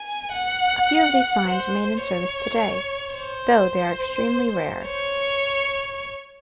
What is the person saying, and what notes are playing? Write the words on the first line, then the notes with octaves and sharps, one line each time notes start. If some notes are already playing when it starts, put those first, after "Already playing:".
A few of these signs remain in service today, though they are extremely rare.
Already playing: G#5
F#5
C5
C#5
C5
C#5